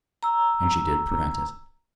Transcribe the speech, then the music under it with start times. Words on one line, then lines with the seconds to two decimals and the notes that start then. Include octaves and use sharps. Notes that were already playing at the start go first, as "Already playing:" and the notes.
And she did prevent it.
0.23 A#5 E6